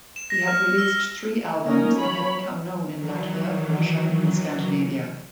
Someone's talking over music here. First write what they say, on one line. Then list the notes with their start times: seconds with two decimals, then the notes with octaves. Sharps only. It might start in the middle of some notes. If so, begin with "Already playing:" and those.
He had released three albums and had become known in Latvia, Russia and Scandinavia.
0.16 E7
0.30 A#6
0.47 F6
0.78 E6
1.65 A#3 C#4 D#4 A#4
1.98 F#3 C#5 B5
2.92 D#3 E3 F#3